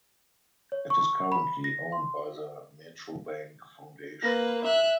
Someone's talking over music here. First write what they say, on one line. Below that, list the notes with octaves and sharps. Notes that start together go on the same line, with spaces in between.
It is currently owned by the Metrobank Foundation.
C#5
C#6
B5
A#6
C6
A#3 B4
E5 F#6